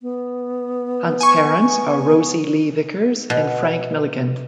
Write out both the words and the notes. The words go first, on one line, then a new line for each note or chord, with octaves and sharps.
Hunt's parents are Rosie Lee Vickers and Frank Milligan.
B3
G#5 C#6
B3
B2